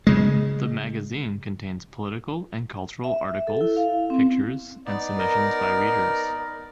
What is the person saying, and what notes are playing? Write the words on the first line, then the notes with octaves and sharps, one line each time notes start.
The magazine contains political and cultural articles, pictures, and submissions by readers.
C#3 G#3
E5
A4
E4
F5
C4
B3 D#4 D5
A#4